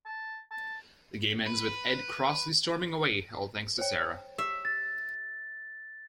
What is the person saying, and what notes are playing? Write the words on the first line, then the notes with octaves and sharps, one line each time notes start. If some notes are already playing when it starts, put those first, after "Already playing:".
The game ends with Ed crossly storming away, all thanks to Sarah.
A5
A5
B4
C5 C#5 G5
G4 E5
A6